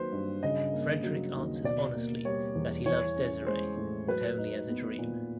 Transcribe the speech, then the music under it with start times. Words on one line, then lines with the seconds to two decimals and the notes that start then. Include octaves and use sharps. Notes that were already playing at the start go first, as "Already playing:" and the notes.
Fredrik answers honestly that he loves Desiree, but only as a dream.
Already playing: D#3 F#3 A#3 B4 C5
0.12 G2
0.43 C#3 D#5
0.73 A#3
1.03 F#3
1.34 D#2
1.64 B2 D5
1.95 A#3
2.25 G3 C#5
2.55 E2
2.86 E3 C#5
3.16 C#4
3.47 G#3 C5
3.77 A2
4.07 F#3 B4
4.38 D#4
4.69 B3
4.99 A#2